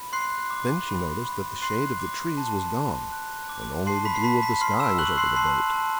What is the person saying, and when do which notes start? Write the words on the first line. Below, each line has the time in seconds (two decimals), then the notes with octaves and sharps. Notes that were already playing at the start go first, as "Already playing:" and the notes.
Then she noticed that the shade of the trees was gone and only the blue of the sky was over the boat.
Already playing: B5
0.13 C6 F#6 C7
0.50 D6
0.88 B5
1.25 B5
1.62 C6 F#6 C7
2.00 D6
2.37 A5
2.74 A5
3.12 F#6
3.49 D6
3.86 A5 C6 C7
4.05 B5 B6
4.15 C7
4.24 A5 B5 B6
4.43 B5 B6
4.61 C6 F6 C7
4.79 E6 E7
4.98 C#6 F#6 F#7
5.18 C6 C7
5.36 A5 C6 C7
5.73 A5